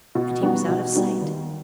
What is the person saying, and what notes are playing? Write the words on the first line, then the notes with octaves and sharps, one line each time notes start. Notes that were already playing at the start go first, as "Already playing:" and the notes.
And he was out of sight!
B2
G3 B3 D#4 F#4
B2
G3 B3 D#4 F#4
D#2